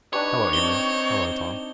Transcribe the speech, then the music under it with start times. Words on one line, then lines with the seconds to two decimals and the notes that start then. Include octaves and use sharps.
"Hello, Amory--hello, Tom."
0.13 D4 D#4 G4 B4 C#5 C#6
0.53 C4 D#4 G7